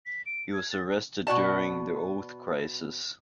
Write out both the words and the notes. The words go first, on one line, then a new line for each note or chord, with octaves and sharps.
He was arrested during the Oath Crisis.
B6
D7
G#6
A6
B2 F#4 D5 A5